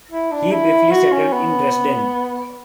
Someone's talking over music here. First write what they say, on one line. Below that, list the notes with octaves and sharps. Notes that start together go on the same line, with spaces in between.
He briefly settled in Dresden.
E4
D4
E4
F#4
C#4
B3